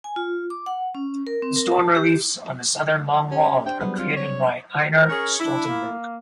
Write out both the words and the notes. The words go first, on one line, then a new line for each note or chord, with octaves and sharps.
The stone reliefs on the southern long wall are created by Einar Stoltenberg.
G#5
F4
D6
F#5
C#4
A#4
C4
A#4
A5
G4
C#4 G4
D4 C5 G5
F#3 G3 B3 G#4
C4 F4
C#5
A#4
C#4 G#4 C#5
D4 E4
A#3